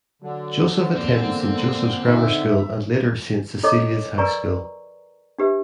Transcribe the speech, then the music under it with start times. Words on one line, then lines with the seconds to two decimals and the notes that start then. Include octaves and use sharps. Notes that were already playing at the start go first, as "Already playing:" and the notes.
Joseph attended Saint Joseph's Grammar School and later Saint Cecilia's High School.
0.22 D3 F#3
0.95 E2 A#3 C4
2.06 D#4 E5
3.63 E4 A4 C#5 D#5 D6
4.18 A#4 B4 D5 G#5 A#5 C#6
5.38 D4 G4 B4 E5